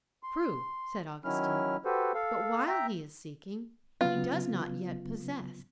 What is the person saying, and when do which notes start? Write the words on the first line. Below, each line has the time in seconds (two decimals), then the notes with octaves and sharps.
"True," said Augustine, "but while he is seeking he does not yet possess."
0.23 C6
1.24 D#3 F#3 C#4 E4 F6
1.85 F#4 G4 A4 B4 C5
2.15 A4 F5
2.68 E5 G5 A#5
4.01 C#3 F#3 B3 F4